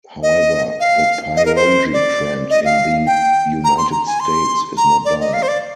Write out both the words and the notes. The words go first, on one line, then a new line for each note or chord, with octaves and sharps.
However, the pierogi trend in the United States is not dying.
D#5
F5
D#5
A#4
C5
D5
D#5
F5
G5
A#5
C6
A#5
G#5
C6
A#5
D5
D#5
F5
C5
D5